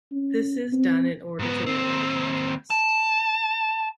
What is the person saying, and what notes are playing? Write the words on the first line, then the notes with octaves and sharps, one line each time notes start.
This is done in order to lower the contrast.
C#4
C4
G#2 B3
D#2 C4
A5